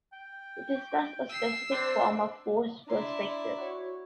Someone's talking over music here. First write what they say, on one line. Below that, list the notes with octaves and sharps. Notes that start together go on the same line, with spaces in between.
It is thus a specific form of forced perspective.
G5
E6 C7
C4 D4 C5
D4 E4 D5 A#5 C6
F#4 C#5